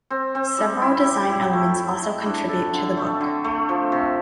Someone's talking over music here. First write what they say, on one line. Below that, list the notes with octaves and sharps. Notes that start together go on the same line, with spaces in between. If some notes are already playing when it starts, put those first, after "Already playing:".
Several design elements also contribute to the book.
C4
C4
G3
E4
G4
E4
A3
E4
E4
D4
A4
D3
A3
D3
A3
F3
C3